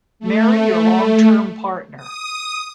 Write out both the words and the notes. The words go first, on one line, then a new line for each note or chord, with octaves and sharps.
Marry your long-term partner.
A3
D#6